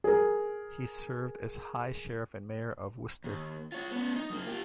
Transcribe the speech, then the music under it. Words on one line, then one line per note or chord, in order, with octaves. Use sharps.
He served as High Sheriff and Mayor of Worcester.
G#4 A#4
D#2
F4 C#5
B3 C#4
D#4
F#2 A#3
F4 G4